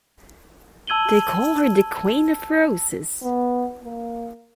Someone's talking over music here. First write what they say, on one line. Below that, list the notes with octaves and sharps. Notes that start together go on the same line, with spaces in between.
They call her "The Queen Of Roses".
A5 E6 G#6 D#7 F#7 G7
B3
A#3